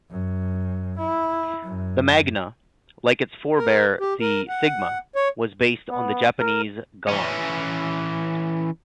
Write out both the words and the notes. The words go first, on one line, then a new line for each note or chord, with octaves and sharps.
The Magna, like its forebear the Sigma, was based on the Japanese Galant.
F#2
E4
F#2
A#4
G4
A#4
F#5
C#5
B3
A#4
E3 C#4